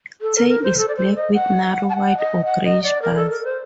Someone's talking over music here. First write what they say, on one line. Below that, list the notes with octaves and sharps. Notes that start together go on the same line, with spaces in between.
Tail is black with narrow white or greyish bars.
A4
A#4
A#4
C5
A4
D5
C5
D#5
F#5
A5
F#5
D#5
F#5
D#5
D5
A#4
A4
A#4
C5